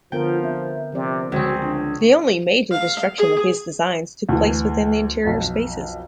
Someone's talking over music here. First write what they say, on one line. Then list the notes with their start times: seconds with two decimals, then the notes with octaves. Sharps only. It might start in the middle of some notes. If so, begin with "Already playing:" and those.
The only major destruction of his designs took place within the interior spaces.
0.12 D3 F3 B3 F4 A#4 G5
0.43 C4 E5
0.93 C3 F3 C4 D5
1.32 C#2 C#3 C4 F#4
1.63 D4 F4
2.71 F5
3.18 G#4
4.29 D2 E3
5.24 B1 F2